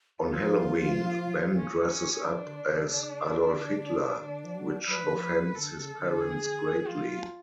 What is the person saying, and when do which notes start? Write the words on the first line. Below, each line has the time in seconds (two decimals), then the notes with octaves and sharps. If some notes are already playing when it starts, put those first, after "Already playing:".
On Halloween, Ben dresses up as Adolf Hitler, which offends his parents greatly.
0.23 F3 F4
1.56 C#4
1.89 C#4
2.22 F3 D4
2.45 D3
2.67 C#3
3.54 D3
4.21 D3
4.44 F3
4.55 F#3
4.87 F#3 B4
4.96 F3
5.03 D3
5.11 F3
5.21 B4
5.54 D3 A4
5.76 C#3
5.98 D3
6.21 G#4
6.87 F3 F4
7.09 F#3